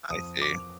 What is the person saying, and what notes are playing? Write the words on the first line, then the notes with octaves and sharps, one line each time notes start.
I see.
F2 D#6
D6